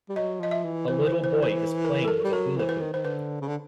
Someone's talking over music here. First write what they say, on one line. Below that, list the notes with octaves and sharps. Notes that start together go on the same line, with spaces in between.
A little boy is playing with a hula hoop.
G3
F#3 D#5
F3 D#5
E5
E3
E3 C5
C5
C5
C5
A#4
A4
A#4
G3
F#3 A#4
E3 C5
B4
D#3
D#3 C5
D3 B4
C#3
D3